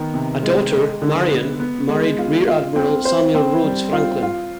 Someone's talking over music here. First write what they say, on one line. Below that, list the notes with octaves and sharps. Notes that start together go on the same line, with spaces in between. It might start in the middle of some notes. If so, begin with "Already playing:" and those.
A daughter, Marion, married Rear Admiral Samuel Rhoads Franklin.
Already playing: D#3 B3
C3
G#3
G#3
D3
B3
B3
G#3
F4
F4
C4
C5
C4
G3
F4
F4